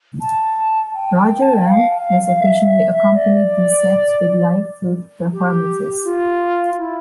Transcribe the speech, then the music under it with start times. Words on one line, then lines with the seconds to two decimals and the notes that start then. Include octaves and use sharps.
Raja Ram has occasionally accompanied these sets with live flute performances.
0.21 A5
0.94 G5
1.42 A5
1.54 G5
1.66 F5
2.39 E5
3.13 D5
5.32 G4
6.04 F4
6.78 E4